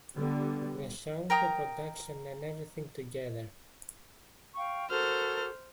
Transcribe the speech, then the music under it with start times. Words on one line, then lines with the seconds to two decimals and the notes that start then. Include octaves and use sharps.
The song, the production and everything together.
0.15 D3 G3 B3
1.30 A#4 G5 A#5 D#6
4.55 F5 G5 C#6
4.90 F#4 A4 A#4 C5 F6